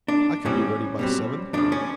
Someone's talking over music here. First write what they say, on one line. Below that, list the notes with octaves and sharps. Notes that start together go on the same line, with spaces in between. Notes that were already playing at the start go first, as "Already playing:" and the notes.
I can be ready by seven.
D4
A2 E3 G3 C4 C#4
B2 G3 C4
F2 C#3 F3 D4
C#4